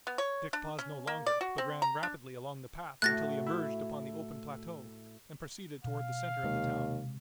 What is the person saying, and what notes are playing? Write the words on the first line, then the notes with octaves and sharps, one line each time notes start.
Dick paused no longer, but ran rapidly along the path until he emerged upon the open plateau and proceeded toward the center of the town.
B3
C#5
D4
C#4
A#3
D5
F#4
C4
A#5
D4
A2 F#4 F#6 A6 A#6
E4
B2 F5
D#2 C3 G#3